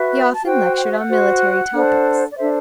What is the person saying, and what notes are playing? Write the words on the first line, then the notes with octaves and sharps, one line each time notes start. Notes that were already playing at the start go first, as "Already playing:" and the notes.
He often lectured on military topics.
Already playing: F#4 B4 E5
A5
F#4 C5 G5
G5
F#5
E5
F#5
F#4 C5
D4 A4 C5
D5
D4 A4 C5 E5